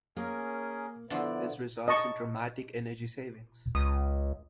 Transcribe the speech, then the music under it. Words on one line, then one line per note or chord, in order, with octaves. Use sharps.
This results in dramatic energy savings.
A#3 C#4 G#4 A#4
D3 F3 B3 E4 D5
D#5 A5 C#6
C#2 D#6